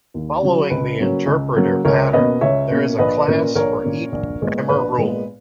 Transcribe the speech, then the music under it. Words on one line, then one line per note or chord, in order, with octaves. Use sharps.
Following the interpreter pattern there is a class for each grammar rule.
D#2
C#3 F#3
C#2 B4
C#3 F#3 A#3 C#4
C#2
C#3 F#3 A#3 C#4
C#2 A#4 C#5
B2 A#3 C#4 B4 D#5
C#2 C#5 E5
B2 A#3 C#4
A#1 B4 D#5
A#2 A#3 C#4
A#1 A#4 C#5
A#2 A#3 C#4
A#1
A#2 G#3 B3
A#1 B4
A#2 G#3 B3